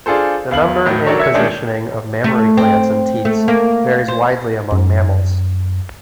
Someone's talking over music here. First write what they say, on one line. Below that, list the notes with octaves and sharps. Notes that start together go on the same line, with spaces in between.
The number and positioning of mammary glands and teats varies widely among mammals.
D4 F4 G#4 A4 C5
E2 F5 F#7
A2 D#3 F#3
F#3 D4 A4 A#4 C#5
E5 G#6 C#7
D#3 G#3 A3 C#4 D4
A3
C4
A3
A#3
C5
F#2